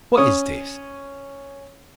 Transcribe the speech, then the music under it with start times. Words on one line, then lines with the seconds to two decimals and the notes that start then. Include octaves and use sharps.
What is this?
0.17 C#4 C#6 D#6